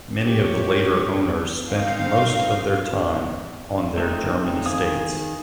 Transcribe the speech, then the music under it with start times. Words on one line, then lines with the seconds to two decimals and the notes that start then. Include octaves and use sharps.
Many of the later owners spent most of their time on their German estates.
0.25 G4 C#5
1.68 C4 D#4 F5
3.98 A3 C4 D#4
4.66 D#3 G#4 F5 D#6